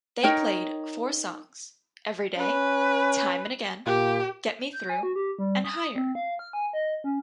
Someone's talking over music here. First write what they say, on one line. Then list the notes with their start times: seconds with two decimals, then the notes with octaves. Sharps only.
They played four songs: "Everyday", "Time and Again", "Get Me Through", and "Higher".
0.23 D#4 A#4 C#5 G5
2.38 C#4 B4
3.86 A#2 G4
4.73 G6
4.90 G#5
5.03 F#4
5.16 G4
5.39 G3
5.64 D#6
5.96 C4
6.15 F5
6.39 F6
6.53 G#5
6.73 D#5
7.04 C#4